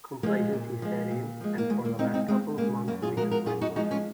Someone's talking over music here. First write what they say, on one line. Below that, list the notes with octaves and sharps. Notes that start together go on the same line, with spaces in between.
Complacency set in, and for the last couple of months we just weren't working.
F3 G#3 A#3
A#2
F3 G#3
A#2
F3 G#3
A#3
D#2 G#3
A#3
C#3 G#3 C4 D#4
C4 D#4
D#2 G#3 C4
C#3 G#3 A#3
F#2 A#3
F4 G#4
F3 G#3 F#4 A#4
F#4 A#4
F#2 F4 G#4
D#4 F#4
F3 G#3 D#4 F#4
C#4 F4